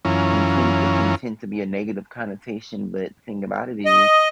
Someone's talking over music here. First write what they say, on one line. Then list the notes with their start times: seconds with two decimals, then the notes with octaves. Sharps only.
contin it can tend to be a negative connotation, but the thing about it is
0.05 F#2 E3 C#4 F4 A#5
3.86 D#5